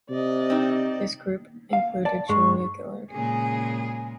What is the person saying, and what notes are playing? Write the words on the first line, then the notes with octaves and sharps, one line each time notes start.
This group included Julia Gillard.
C3 D5 D#5
C4 D#4
F5
D5 A5
G2 G#3 C#6
A#2 C#3 G#3 G#4